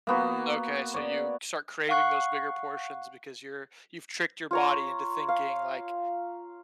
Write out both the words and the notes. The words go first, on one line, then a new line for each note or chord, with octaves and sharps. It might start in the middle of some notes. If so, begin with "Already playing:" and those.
Mm, okay, so you start craving those bigger portions because you're you've tricked your body into thinking, like,
A#3 B3 F#4
C#5 D5
F5 F#5 C#6 F#6
F4 C#5 A#5
F5